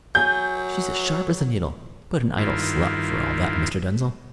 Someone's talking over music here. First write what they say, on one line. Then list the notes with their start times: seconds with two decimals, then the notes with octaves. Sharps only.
She's as sharp as a needle, but an idle slut, for all that, Mr. Denzil.
0.15 F#3 G#5 G6
2.38 G2 D#3 E4 F4